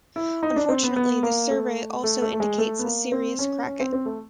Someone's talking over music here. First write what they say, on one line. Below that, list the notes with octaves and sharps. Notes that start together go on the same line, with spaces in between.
Unfortunately, the survey also indicates serious cracking.
E4
D#4
D4
C4
B3
B3
A#3
A3
A3
A3
A3
G#3
A3
B3
A#3
C4
C#4
C#4
C4
C4
A3